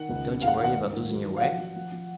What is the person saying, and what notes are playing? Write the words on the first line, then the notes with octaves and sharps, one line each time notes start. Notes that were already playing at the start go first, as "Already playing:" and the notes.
"Don't you worry about losing your way?"
Already playing: D#3 F#5
C#2
C#3
D#2 F5
F#5
F5
D#3
F#5
G#2
D#3
F#3
F#3
F5
F3 F#5
F3
F3
F3